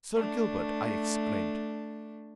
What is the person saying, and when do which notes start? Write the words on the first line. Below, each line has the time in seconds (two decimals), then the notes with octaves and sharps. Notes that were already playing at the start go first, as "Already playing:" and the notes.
"Sir Gilbert!" I exclaimed.
0.15 A3 D4